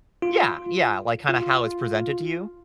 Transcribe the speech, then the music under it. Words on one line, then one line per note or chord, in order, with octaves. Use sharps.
Yeah, yeah, like, kinda how it's presented to you.
F4
F4